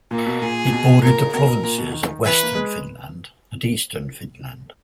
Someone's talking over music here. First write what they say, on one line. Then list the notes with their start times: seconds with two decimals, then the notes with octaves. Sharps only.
It bordered the provinces of Western Finland and Eastern Finland.
0.11 A#2 A#3
0.26 B2
0.42 A#2 G#4
0.67 A#2
0.72 B2
1.02 A#2 A#4
1.18 C#3
1.33 B2 A#4
1.49 B2
1.63 A#2
1.78 B2
1.93 D#3
2.24 E3 B4
2.43 A#3
2.55 G#3